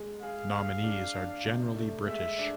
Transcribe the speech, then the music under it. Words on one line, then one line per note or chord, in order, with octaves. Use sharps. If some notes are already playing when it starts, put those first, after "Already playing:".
Nominees are generally British.
Already playing: G#3 G#4
G#4 F5
G#4
D4
D4
C3
A3
G#3 E5
D4